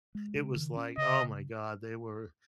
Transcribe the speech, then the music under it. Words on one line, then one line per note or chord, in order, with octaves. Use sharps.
it was like oh my god, they were
G#3
C#3
D#3
C#4
C#3 D#5